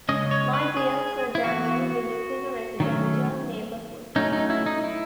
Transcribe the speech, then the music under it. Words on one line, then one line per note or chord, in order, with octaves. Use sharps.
My dear Sir Daniel, we live in a residential neighborhood.
C#3 G#3 C#4 D#5
C#5
B4
G#4
E4
E3 B3 F#4
D#3 F#3 A3 C#4
F#3 A3 C#4 D#4
D#4
E4
D#4
E4